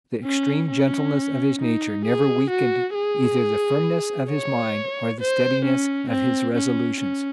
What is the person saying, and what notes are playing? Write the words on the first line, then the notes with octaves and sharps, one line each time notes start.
The extreme gentleness of his nature never weakened either the firmness of his mind or the steadiness of his resolutions.
C#4
C#4
D#4
G#4
F#4
G#4
C#5
C5
C#4
C4
C#4
C#4